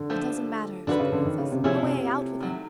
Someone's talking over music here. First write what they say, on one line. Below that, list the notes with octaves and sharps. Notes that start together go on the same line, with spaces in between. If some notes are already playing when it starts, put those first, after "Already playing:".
'It doesn't matter!' said the Princess. 'Away! out with him!'
Already playing: D3
F3 A3 D4 G4 C5
D3 D4 F#4 B4
C#3
D3
D#3
C#3
C3
C3 F3 A3 C#4 E4 G#4
C3
D#3 F#3 A3